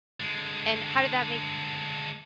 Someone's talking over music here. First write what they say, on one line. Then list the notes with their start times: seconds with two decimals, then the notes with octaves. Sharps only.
And how did that make
0.20 D3 G#3